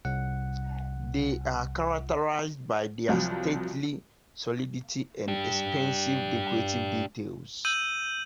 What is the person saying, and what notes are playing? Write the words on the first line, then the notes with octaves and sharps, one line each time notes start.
They are characterized by their stately solidity and expensive decorative details.
C2 F#5
C2 F3 F#3
D4 G4
E6 G6 D#7 F#7